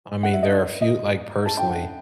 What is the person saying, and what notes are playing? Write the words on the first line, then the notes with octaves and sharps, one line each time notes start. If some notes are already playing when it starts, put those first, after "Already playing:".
I mean, there are few like, personally,
F#5
E5
D#5
D#5
A5
G5
F#5